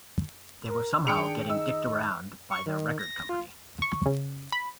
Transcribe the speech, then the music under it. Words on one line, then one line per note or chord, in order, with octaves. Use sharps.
They were somehow getting dicked around by their record company.
A#4
D#3 D4 G#4 G5 C#7 F7
D#4 D#5 E6
C#6
D#3
A#6
F4
C#6
C#3
B5